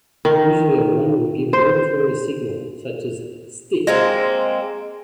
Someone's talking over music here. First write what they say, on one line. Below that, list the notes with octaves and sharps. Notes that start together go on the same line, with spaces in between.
Usually a runner will give an auditory signal, such as Stick!
D#3
C5
G#3 A#3 C4